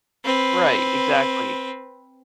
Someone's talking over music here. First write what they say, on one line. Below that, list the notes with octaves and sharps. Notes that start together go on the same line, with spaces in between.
right, exactly.
C4 B4